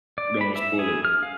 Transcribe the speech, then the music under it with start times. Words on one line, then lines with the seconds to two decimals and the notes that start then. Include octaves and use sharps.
Don't wanna spoil it.
0.18 D5
0.41 B5
0.56 E5
0.79 G#4
1.05 F6
1.23 F5